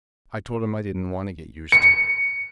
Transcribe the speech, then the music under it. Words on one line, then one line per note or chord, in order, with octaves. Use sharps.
I told him I didn't want to get used to it.
C#7